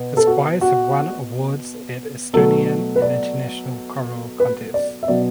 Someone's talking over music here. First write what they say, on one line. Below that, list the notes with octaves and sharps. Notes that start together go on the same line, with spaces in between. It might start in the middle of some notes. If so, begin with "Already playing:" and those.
His choirs have won awards at Estonian and international choral contests.
Already playing: B2 B3
A4
F#4
F#4
B2 F#3 A3 A4
B4
D5
B4
D5
E5
B2 F#3 B3 D5